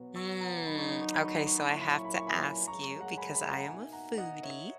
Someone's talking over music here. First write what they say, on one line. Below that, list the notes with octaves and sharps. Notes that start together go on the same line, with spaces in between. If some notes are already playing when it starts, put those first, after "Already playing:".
Mm, okay, so I have to ask you because I am a foodie,
Already playing: B2 F#3 B3
C#6 E6
F#5 A#5
D#3 F#3 B3 D#4 B5
C#6
B5
C#6
B5
C#6
B5
C#6
B5
A#2 F#3 A#3 C#4 E4 C#6
B5
C#6
B5
C#6
G#5 B5
F#2 C#3 G#3 A#5 C#6
A#5 C#6
F#5 A#5
G#5 B5
G#5 B5
F#5 A#5
B2 A#3 D#4 E5 G#5
F#5 A#5
D#5 F#5
C#5 E5